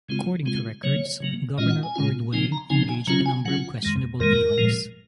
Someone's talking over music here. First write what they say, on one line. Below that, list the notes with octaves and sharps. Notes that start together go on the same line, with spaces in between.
According to records, Governor Ordway engaged in a number of questionable dealings.
C#3 G#3 C4 F4
C#3 G#3 C4 F4
C#3 F#3 A#3 C#5
C#3 F#3 A#3
A#2 G#3 C#4 F4 D#5
F#5
G#5
A#2 G#3 C#4 F4
C#3 F3 C4 D#4 G#5
A#5
C#3 F3 C4 D#4 G#5
G#5
C#3 F#3 C#4 F4 A#5
G#5
C#3 F#3 C#4 F4 F#5
F2 D#3 G#3
F2 D#3 G#3 A#4
A#2 F3 G#3